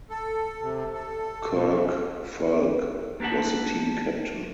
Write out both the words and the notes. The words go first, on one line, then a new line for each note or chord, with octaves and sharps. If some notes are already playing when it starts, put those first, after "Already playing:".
Kirk Foulke was the team captain.
A4
C3
A4
B2
E3
A#3 D4 G4 A4 F#5